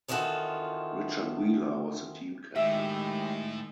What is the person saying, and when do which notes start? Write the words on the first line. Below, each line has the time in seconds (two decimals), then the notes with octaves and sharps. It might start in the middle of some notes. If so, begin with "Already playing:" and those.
Richard Wheeler was the team captain.
0.08 F2 D#3 E3 F4 F#4 A4
2.56 A2 D#3 G#3 G4 E5